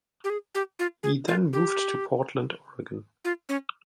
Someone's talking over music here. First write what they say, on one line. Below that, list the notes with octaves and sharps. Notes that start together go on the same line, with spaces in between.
He then moved to Portland, Oregon.
G4
G#4
G4
F4
G#4
F4
G4
F4
C#4